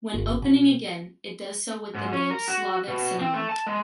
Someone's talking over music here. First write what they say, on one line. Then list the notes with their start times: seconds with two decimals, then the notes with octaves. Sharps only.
When opening again, it does so with the name Slavic Cinema.
0.14 G1
0.42 B2
1.95 G#2
2.13 C#4
2.31 A#4
2.48 F#4
2.88 B2
3.21 C4
3.34 A3
3.49 A5
3.67 G#3